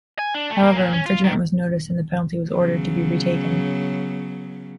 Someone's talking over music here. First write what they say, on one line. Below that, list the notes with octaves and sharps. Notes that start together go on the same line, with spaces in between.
However, an infringement was noticed and the penalty was ordered to be re-taken.
G#5
D4
A3
A#3
A#2
C#4
F4
D#3
C#3 F#3 B3